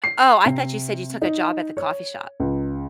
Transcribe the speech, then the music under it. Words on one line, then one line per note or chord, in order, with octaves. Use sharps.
Oh, I thought you said you took a job at the coffee shop.
C7
C3
D#4
C#5
C#2